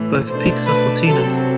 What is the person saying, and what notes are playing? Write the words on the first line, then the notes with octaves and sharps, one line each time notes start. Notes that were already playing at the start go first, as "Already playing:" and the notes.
Both peaks are fourteeners.
Already playing: A2 E3 A3
B2 A3 D4 C5
B4
C3 F#3 C4 A4